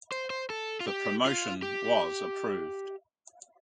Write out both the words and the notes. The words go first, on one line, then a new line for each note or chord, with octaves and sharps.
The promotion was approved.
C5
C5
A4
F4
G4
F4
G4